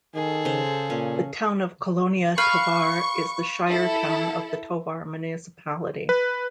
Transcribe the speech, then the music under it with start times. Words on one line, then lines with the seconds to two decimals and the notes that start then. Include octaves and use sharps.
The town of Colonia Tovar is the shire town of the Tovar Municipality.
0.15 D#3 G#4 A4
0.45 C#3 C5
0.90 A#2 C#4
2.38 B4 F5 C#6
3.68 E4 A4
6.09 B4